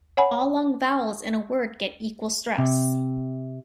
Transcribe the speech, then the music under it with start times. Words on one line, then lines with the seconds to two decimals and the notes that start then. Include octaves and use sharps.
All long vowels in a word get equal stress.
0.17 C#5 F#5 G#5 B5
2.58 C3